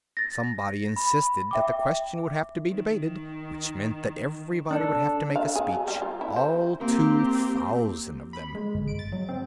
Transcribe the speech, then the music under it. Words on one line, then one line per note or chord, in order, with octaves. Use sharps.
Somebody insisted that the question would have to be debated, which meant that everybody would have to make a speech, all two thousand of them.
A6 A#6
B5
E5 G5 D6
D#3
D4 A4
F5
G#4
F#3
G3
F4
E4
C5
A#3 C4 G4
B5
G#3
G1
D7
A6
F#3
C4